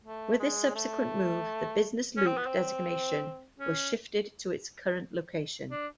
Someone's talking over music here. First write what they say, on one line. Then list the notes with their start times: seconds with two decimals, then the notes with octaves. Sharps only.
With this subsequent move, the business loop designation was shifted to its current location.
0.04 A3
0.40 G#3
0.75 A3
2.17 C#4
2.27 C4
2.37 B3
2.47 C4
3.58 C#4
5.71 D4